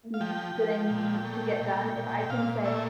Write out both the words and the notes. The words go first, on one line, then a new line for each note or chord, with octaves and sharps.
need that I need to get done, if I can set
F5
F3 G5
F3
A#2
A3
A#2
A#2
G5
A#2 F5
A3 E5